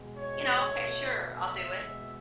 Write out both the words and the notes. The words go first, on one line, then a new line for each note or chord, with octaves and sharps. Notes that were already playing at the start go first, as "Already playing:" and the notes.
you know, "Okay, sure, I'll do it."
Already playing: B2 G#3
C#5
B2 A3
E5
B2 G#3